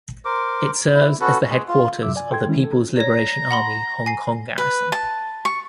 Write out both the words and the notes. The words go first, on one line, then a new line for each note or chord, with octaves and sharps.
It serves as the headquarters of the People's Liberation Army Hong Kong Garrison.
A#4 C5 D6
E4
C#4 F#4 A4 B4
G#3
F4
F#2 C3 F#3 E5 D6 E6
D5 G#5
A4 G5 C6 G#6
D#3 E3 G#3 C#4 E4
A4
C#5 D5 A#5
F#5 B5 C6
G#5 C7
B4
A5
C#6